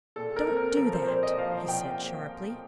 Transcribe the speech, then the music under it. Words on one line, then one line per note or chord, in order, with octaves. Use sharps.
"Don't do that!" he said sharply.
A#2 A4
A#4
C4
A#4
F3 A#4
C5
A#2 C5
D#5
F3 F5
A#2 G5